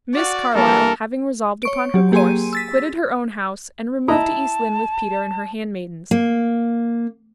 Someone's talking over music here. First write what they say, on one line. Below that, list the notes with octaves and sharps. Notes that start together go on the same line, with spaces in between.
Miss Carlyle, having resolved upon her course, quitted her own house, and removed to East Lynne with Peter and her handmaidens.
F#4 D5 F#5 F6 F#6
G2 E3 A#3 D4 A4 A#4
C#5 C#6 D7
F#3 G4
A#3 G4 G#4 G#5 C6 D#7
E6 A6 B6
E4 D#5 A5 A#5
A#3